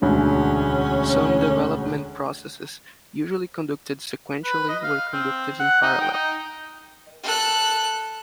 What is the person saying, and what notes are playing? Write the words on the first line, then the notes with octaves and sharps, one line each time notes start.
Some development processes usually conducted sequentially were conducted in parallel.
E1 D2 D3 C#4
B4
D#5
F5
C4
F#5
D#4
G5
D#4
A4 F#6